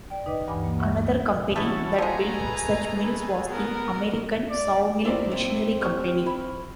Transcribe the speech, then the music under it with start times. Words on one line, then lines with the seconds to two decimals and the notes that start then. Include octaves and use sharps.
Another company that built such mills was the American Sawmill Machinery Company.
0.10 D5 G5
0.26 D#4 B4 D#5 D6
0.48 D2 G2 E3 G#5 B5 D6
0.64 A#3
0.79 E5 F#5 B5 C#6
1.05 G#3
1.56 E3 A3 B3 C#4 E4 F#4 A5
1.98 F3 G#3 A3 G#4 G#5 A#5
2.41 B4
2.92 B4
3.50 B3 A#4
4.50 D5
5.05 D#2 E4 F4 A#4 C5 D5
5.31 A2 G#3 A#3 C4
5.81 G4 G#5 A5 C#6 F6
6.26 E4 B5